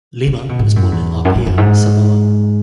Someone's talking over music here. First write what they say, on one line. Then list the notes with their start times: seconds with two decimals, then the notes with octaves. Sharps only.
Lima was born in Apia, Samoa.
0.27 C#3
0.49 B2
0.59 G#2
0.76 F#2
0.92 E2
1.25 F#2
1.35 G#2
1.46 F#2
1.58 G#2